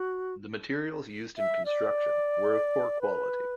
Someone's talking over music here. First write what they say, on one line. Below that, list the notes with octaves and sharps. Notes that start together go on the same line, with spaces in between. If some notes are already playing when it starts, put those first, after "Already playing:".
The materials used in construction were of poor quality.
Already playing: F#4
E5
D5
B4